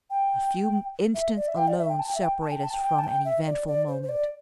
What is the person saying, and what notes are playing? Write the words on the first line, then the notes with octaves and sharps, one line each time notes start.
A few instants alone separate us from an eventful moment.
G5
E5
D5
E5
G5
D5
E5
G5
A5
G5
E5
G5
A5
G5
A5
G5
G5
A5
G5
E5
D5
D5
C5
C5
D5